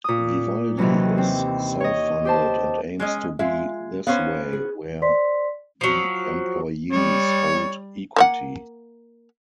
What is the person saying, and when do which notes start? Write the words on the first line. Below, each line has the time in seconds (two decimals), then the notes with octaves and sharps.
Vivaldi is self-funded and aims to be this way where the employees hold equity.
0.04 A#2 D#6
0.77 D#2 C3 E3 F#3 C#4
1.18 C4
1.80 C#5 D#5
2.25 G4 C5 A5
3.00 G#3 C#4 D#5
3.39 G#3 F4 E5
4.07 B3 C#4 C5 C#5 F5
4.53 G#4
5.02 C5 D5 C6 B6
5.81 F3 F#3
6.92 G3 C#5
8.16 A#3 C#5 F#5